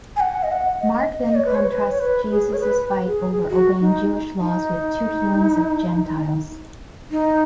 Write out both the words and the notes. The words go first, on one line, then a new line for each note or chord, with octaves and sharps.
Mark then contrasts Jesus' fight over obeying Jewish law with two healings of Gentiles.
G#5
F#5
D#5
F#5
D#5
D#5
C#5
B4
C#5
B4
C#5
B4
G#4
C#5
B4
G#4
F#4
D#4
D#4
D#4